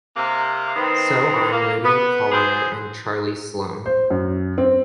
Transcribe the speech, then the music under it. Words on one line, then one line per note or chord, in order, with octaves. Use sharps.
So are Moody Collier and Charlie Sloane.
C3 A#3
D#3 B3 C4 D#4
A#3
B3
F#3 B3 G#4 C5
C5
F#2
C4